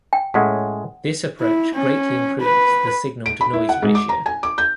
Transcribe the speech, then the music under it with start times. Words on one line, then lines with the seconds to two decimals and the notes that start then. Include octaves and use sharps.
This approach greatly improves the signal-to-noise ratio.
0.13 G5
0.34 A2 G#3 C#4 F#5
1.40 E4
1.74 C#4
2.42 B4
3.26 D7
3.41 B5
3.53 E4
3.69 F#5
3.82 G#2
3.95 D6
4.09 A#5
4.26 G#5
4.43 D6
4.58 G6